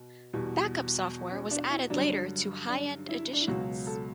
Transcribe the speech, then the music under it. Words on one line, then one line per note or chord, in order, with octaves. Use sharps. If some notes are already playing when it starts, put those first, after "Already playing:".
Backup software was added later to high-end editions.
Already playing: B2
E2 B2 G3
C#4
D4
E4
G2 D3 F#3 D4
D4
E4
D4
E4
C#2 B2 F#3 F#4
A4